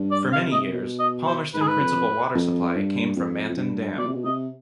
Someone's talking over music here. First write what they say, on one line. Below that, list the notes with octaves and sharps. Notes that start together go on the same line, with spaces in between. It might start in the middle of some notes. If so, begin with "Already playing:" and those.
For many years, Palmerston principal water supply came from Manton Dam.
Already playing: G2
D5
C3 F5
D#5
B2
D#5
C5
G#2 B4
G#4
B4
F2
F2
G2
F2
F2
G2
B2 D5
C3
B2
C3 D#5